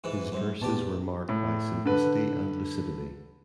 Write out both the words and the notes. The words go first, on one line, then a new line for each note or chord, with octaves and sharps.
His verses were marked by simplicity and lucidity.
G#2 E3
F#2 G3 C5
E2 A#2 B3 G4 A5
A2
D3 B4